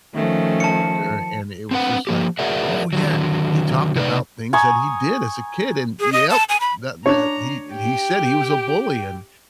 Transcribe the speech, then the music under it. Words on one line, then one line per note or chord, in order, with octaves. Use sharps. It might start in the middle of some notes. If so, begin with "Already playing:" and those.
pastor, and it was just like, oh, yeah, he talked about things that he did as a kid and yep. That that he and he said he was a bully and,
D#3 F3 A3 C#4
A5 C#7
C4 D4 B4 F#5
F3 A#3 G4
F#4 G#4 A#4 D5 E5 F#5
D3 D#3 F#3
C3 D#4 A4 B4 D5
G#5 A#5 C#6 D#6
G#4
D#5
A5
G#5
B5
D4 C#5 A#5
G4 G5